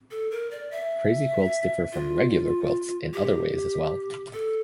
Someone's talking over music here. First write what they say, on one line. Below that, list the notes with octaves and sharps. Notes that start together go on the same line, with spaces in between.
Crazy quilts differ from "regular" quilts in other ways as well.
A4
A#4
D5
E5
F4
G4
A4